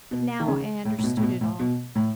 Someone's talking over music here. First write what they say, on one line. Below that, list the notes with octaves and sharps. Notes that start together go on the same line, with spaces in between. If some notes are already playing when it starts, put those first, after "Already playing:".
But now I understood it all.
B2
D#3
C#3
A2
A2
B2
A2
B2
A2
B2
A2